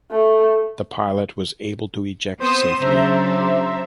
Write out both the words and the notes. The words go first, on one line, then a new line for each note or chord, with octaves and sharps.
The pilot was able to eject safely.
A3
B3 C4 C5 D#6 E7
C#3 F#3 D4 C5 E5 A#5